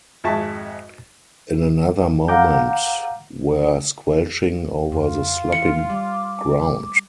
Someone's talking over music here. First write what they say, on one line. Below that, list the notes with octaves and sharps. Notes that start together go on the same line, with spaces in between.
In another moment were squelching over the sloppy ground.
G#1 F2 G#3 E5 A5 C#6
F5 F#5 A#5 D6 G6
F2 F4
E3 C#7
G3 D6